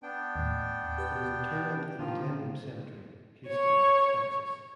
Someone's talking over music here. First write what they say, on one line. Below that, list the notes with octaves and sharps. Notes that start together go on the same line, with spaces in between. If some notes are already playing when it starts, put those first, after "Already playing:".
He is interred in Glenwood Cemetery, Houston, Texas.
B3 D4 G5
D#2 A2
G4 B4
D3 D#3 F3 F4
C#5 C#6